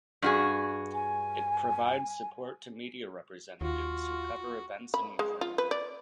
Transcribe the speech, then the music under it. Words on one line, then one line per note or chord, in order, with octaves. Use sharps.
It provides support to media representatives who cover events in Ukraine.
G2 F#4 G#4
G#5
D#2 F4 F#4
B5
G#3
F4
B4
D5